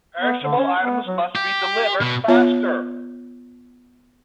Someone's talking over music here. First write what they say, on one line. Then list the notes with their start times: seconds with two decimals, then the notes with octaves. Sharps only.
Perishable items must be delivered faster.
0.21 B3
0.44 D3
0.58 C#4
0.82 B3
1.07 F#3
1.35 G4
2.02 B2
2.28 B3 F4 C#5 E5